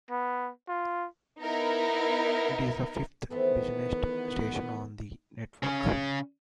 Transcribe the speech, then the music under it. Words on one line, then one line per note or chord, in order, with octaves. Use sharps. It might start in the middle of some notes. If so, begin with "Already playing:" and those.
It is the fifth busiest station on the network.
B3
F4
B3 D#4 E4 A#4
D#3 E3 A3 B3 C4 A4
C#3 C#4